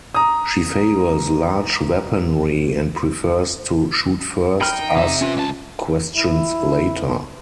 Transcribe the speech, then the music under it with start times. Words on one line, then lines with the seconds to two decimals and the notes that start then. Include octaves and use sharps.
She favors large weaponry and prefers to "shoot first, ask questions later".
0.15 A#5 D#6
4.61 D#4 G5 B5 F6
4.72 D#4
4.96 C3 E5
5.21 C#4 F4 B4
5.37 C#2 A5
6.16 E4